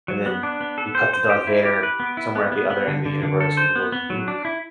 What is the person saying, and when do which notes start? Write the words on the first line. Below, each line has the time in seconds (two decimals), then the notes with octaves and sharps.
and then, you cut to Darth Vader, somewhere at the other end of the universe, and he goes, "Luke,"
0.08 F#3
0.26 B3
0.43 D4
0.61 B3
0.78 A4
0.95 C5
1.13 C5
1.30 G4
1.47 E4
1.65 G4
1.83 B4
2.00 B3
2.17 E4
2.36 B3
2.52 B3
2.70 B3
2.87 D3
3.06 D3
3.23 D3
3.41 A4
3.57 C5
3.75 B3
3.92 B3
4.10 F#3
4.28 D4
4.45 E4